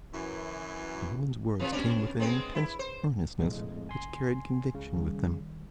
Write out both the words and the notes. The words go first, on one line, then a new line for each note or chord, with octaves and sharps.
The woman's words came with an intense earnestness which carried conviction with them.
F#2 E3
C3 E3 F3
B2 C#4 D4
G#3 B3 C4
E4
C5
A#1 F2 A2 C3 G#3
F#1 G#5 C6
C#2 C#3
D#3 G3